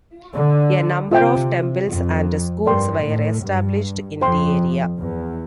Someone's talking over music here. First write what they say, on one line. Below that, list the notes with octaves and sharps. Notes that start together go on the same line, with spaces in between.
A number of temples and schools were established in the area.
D3
C3 F4 C5 G5
F2
G2 A#4 D5 G5 C6
A2
G2
F2 C5 G5 C6
E2